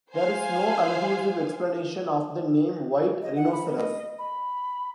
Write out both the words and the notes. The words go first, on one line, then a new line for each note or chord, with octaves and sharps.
There is no conclusive explanation of the name white rhinoceros.
C5 F5 G#5
D#5
F#5
B5
D#5
B5